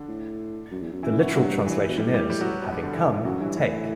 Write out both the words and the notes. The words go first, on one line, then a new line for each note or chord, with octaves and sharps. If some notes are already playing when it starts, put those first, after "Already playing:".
The literal translation is "having come, take".
Already playing: D3 D4
A2
F#2
E2
F#2
E3 E4
F#4
E4
G2 F#3 F#4
E3 E4
B2
A2 G3 G4
G3 G4
G3 G4
F#3 F#4
B2 B3
G2 G3
D3 D4
E3 E4
F#2 F#3 F#4
G2 E3 E4
A2 E3 E4